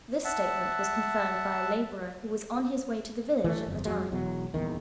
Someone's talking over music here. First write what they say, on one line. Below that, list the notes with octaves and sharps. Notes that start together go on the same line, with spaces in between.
This statement was confirmed by a laborer, who was on his way to the village at the time.
E5 F#5 A5
E3 F#3 A3
G1 F2
F2 F#3 G#3
E1 E2 F#3
D#1 E2 D#3